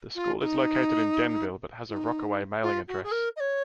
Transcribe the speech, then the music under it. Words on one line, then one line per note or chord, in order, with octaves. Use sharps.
The school is located in Denville but has a Rockaway mailing address.
F4
F4
D#4
F4
D#4
F4
F#4
G#4
A#4
D#5
C#5